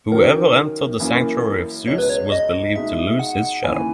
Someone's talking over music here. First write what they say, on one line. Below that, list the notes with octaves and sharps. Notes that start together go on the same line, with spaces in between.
Whoever entered the sanctuary of Zeus was believed to lose his shadow.
F#2 D#3 F#3 A#4
F#2 E3 A#3
C#2 B2 G#3 C#5
B4
C#5
D#5
B2 G#3 D#4 E5
F#5
D#2 C#3 E3 G#5